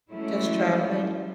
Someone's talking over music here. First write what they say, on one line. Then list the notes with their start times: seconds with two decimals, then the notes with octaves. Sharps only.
Just traveling?
0.10 E3 F#3 G#3 A3 C#4 E4